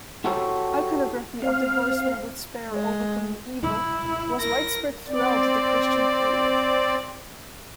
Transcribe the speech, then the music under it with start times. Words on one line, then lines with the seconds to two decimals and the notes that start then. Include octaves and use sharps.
Iconography of the horseman with spear overcoming evil was widespread throughout the Christian period.
0.24 E4 F#4 G4 A4 C5 C#5
1.42 C4 F5
2.69 G#3
3.63 E4
4.39 A#4 A#6
5.08 C4 D5